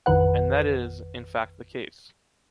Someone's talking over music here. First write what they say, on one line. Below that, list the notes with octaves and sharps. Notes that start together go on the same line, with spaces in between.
And that is, in fact the case.
A1 F2 D#3 B4 F#5